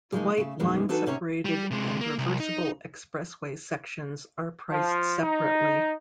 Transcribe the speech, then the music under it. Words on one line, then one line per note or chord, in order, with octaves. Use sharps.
The white line-separated and reversible expressway sections are priced separately.
C#3 F3 G#3 A#3 D#4 A#4
C#3 A3
F#2 B2 D#3 E3 G#3 C#4
E3 D4 D#4 F#4 A4 B4
D2 C3 C#4 C#5 A#5
G3
C3 G#3
A#3
C2
D#4
F3
D#4